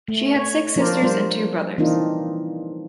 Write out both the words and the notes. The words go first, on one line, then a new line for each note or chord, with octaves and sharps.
She had six sisters and two brothers.
A3
C#5
F3 A#3 D4 A#4 C5 D5
G3 A#3 F4 C5
E3 A#3 C4 D4 D#4 F4